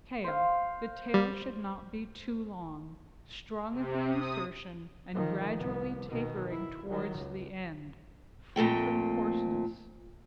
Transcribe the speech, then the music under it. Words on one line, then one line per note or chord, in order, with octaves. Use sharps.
TAIL--The tail should not be too long, strong at the insertion, and gradually tapering towards the end, free from coarseness.
C5 F5
G3
C3
D#6
D#3 F3
C2 B3
B2 D#3
E4
D#3 F#3
C#2
F2 A#2 A3 G5